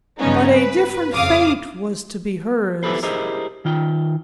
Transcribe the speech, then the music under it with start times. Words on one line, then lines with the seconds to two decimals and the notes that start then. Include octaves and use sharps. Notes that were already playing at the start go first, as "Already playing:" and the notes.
But a different fate was to be hers.
0.19 G2 C#3 B3 C#4 D#4
0.52 B4
1.14 F2 C#3 F5 D6 D#6
2.83 B3 E4 G4 A4 B4 C5
3.03 E4 G4 G#4 A#4 C5 D#5
3.65 D#3 F4 G5